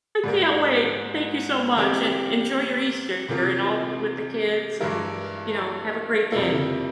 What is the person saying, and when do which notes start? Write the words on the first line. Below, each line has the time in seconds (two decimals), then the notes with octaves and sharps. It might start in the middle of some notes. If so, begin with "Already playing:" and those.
can't wait. Thank you so much, and enjoy your Easter and all with the kids, and, you know, have a great day.
0.24 G#2 G3 A#3
1.76 E3 G3 C4 G4 A#4
3.28 C3 E3 A#3 F4 G#4
4.80 G2 E3 G#3 E4 A#4
6.32 F2 C3 G3 A#3 E4